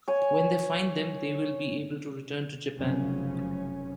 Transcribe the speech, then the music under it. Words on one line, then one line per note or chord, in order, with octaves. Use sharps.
When they find them, they will be able to return to Japan.
C#5 G#5
F1 F#2 C#3 F3 C#4